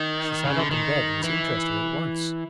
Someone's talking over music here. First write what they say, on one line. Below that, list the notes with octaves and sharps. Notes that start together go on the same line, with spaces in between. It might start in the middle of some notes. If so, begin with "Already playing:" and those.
She sat up in bed, and was interested at once.
Already playing: D#3
C#3
D3
D#3
E3